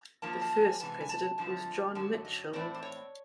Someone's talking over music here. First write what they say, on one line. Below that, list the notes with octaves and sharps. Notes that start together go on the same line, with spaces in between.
The first president was John Mitchell.
F#2 D3 F3 A#3 A5
A#5
A5
G#5
C3 E3 G#3 B3 A5
G#5
A5
G2 D3 F3 A3 C4 A5
F#2 D3 F#3 A5
D#5
A2 E3 A3 C4 D5
C5
C#5